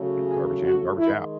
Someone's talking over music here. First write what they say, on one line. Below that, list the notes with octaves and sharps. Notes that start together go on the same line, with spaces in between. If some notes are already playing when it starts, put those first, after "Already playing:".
"Garbage in, garbage out."
Already playing: C#3 F#3 A3
G#4
F#4
D#3 G#3 E4